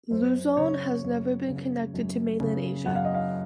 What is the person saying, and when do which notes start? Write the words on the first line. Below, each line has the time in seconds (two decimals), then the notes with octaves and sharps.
Luzon has never been connected to mainland Asia.
0.11 F#2 C5
0.57 C#3 C#5
1.03 F#2
1.48 C#3
1.94 F#2
2.40 C#3
2.86 F#2 F#5
2.95 F5
3.05 D#5
3.14 F5